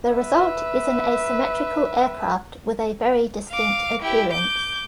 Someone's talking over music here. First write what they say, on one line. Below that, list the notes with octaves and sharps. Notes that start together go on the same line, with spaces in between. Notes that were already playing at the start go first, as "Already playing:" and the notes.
The result is an asymmetrical aircraft with a very distinct appearance.
B4 E5
F5 D6
E4 G4
D6 G6